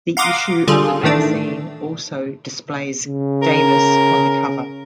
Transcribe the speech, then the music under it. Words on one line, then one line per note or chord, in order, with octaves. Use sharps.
This issue of the magazine also displays Davis on the cover.
F5 F#5 A#5 C6 D6 D#6
D3 G3 F4 G#4 A4
A2 D#3 E3 A3 D4
C#3
A#4